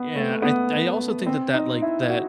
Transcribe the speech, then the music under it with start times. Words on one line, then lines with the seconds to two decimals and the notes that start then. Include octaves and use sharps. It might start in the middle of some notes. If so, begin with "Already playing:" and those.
Yeah, I th I also think that, like, that,
Already playing: B3
0.16 A3
0.42 B3
1.26 C4
1.53 D#4
1.82 E4
2.09 F#4